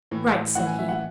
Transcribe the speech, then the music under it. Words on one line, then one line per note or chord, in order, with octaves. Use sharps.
"Write!" said he.
A2 E3
A2 E3 F#5
G#5
E5
F#5